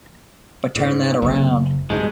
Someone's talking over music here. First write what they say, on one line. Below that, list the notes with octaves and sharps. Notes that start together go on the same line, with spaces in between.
But turn that around.
G#2
F#1
G2 B2 G#3